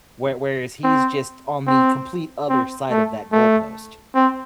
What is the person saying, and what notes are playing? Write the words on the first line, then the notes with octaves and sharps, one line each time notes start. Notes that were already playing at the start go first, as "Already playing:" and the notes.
where whereas he's, just, on the complete other side of that goalpost
C4
C4
C4
A3
A3
C4